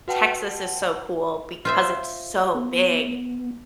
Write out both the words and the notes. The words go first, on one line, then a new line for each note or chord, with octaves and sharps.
Texas is so cool, because it's so big
F#4 B4 F#5 G5 A5
F4 C5 E5
B3